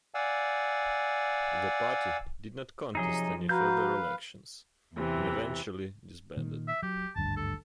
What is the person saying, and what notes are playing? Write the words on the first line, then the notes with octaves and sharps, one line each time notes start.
The Party did not contest any further elections, and eventually disbanded.
D5 F5 F#5 G#5 E6
C3 F3 F#3 D#4 G#4 D#5
F#4 B4 F5 A#5 G6
E2 C3 E3
A#2 D#3
E5
F#3 G4
G#1 D2 G2 A5
A4